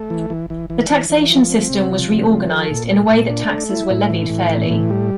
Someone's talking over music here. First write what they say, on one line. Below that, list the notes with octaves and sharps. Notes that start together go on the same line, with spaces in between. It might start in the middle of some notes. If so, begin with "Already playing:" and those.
The taxation system was reorganized in a way that taxes were levied fairly.
Already playing: A3
E3
E3
E3
E3
E3
E3
F3
C4
C3
F3
C3
F3
A4
A#2
A3
A#2
D4
A3
E4
A2
E3
A2
E3
A2
G3